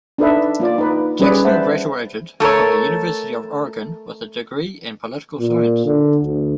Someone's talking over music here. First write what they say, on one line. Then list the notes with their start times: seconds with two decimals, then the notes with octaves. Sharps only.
Jackson graduated from the University of Oregon with a degree in political science.
0.18 D4 D#4 A4 B4 D#5 E5
0.60 A#3 F4 D5
0.78 D#4 B4
1.19 G3 C#4 G#4 B4 D5
1.45 B4 C5 E5 F#5 A5 B5
2.40 A3 A4 A#4 C#5
5.39 A#2
5.85 D3
6.23 D2